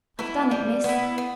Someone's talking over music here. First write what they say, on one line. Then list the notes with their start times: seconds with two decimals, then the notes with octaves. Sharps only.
'I've done it, miss.
0.19 B3 E4
0.51 G3
0.84 B3 E4
1.18 B3